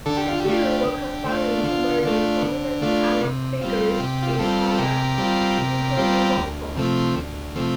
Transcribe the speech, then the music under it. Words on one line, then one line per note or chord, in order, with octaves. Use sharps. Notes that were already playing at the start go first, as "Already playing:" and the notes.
The two were conspiring to murder prominent Arab figures in Haifa, including Makhoul.
D3 A4
G4
F4
G4
A3 D4 F4
D3
A3 D4 F4
D3 F4
A3 D4 F4
D3
A3 D4 F4
C3
G3 C4 F4
C3 G4
F4
G4
G3 C4 F4 A4
A4
C3 G4 A#4
G3 C4 F4
C3
G3 C4 F4
D2
C3 F3 A3 C4
D2
C3 F3 A3 C4